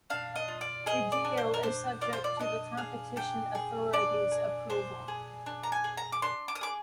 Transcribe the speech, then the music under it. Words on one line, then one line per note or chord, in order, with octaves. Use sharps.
The deal is subject to the Competition Authority's approval.
D4 F5
D#5
F4
D5
G#4 D#5
D5
D4
C5
A#4
D4 C5
F4 D5
C5
D5
D4 D#5
G#4 F5
D4 G5
G#4
D4 D5
G#4
D4 C5
G#4
D4
A#5
G#5
G#4
A#5
D6
D4 C6
D6
D#6
G#4 D6